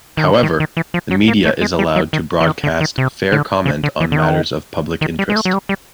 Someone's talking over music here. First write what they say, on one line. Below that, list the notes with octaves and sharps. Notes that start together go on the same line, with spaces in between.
However, the media is allowed to broadcast "fair comment on matters of public interest".
D#3
D3
D#3
D#3
E3
F3
F#3
A#3
A3
G#3
G3
F#3
D#3
E3
D#3
D3
D#3
C3
D3
C#3
D3
E3
D3
D#3
D#3
G3
G#3
A3
F#3
G3
G3